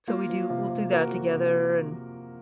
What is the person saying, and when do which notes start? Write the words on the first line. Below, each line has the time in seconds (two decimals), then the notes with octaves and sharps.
so we do we'll do that together, and
0.08 A#3 F4
0.29 F3
0.49 C3 F4
0.70 C3
0.90 A#3 F#4 A#4
1.12 F3
1.32 C3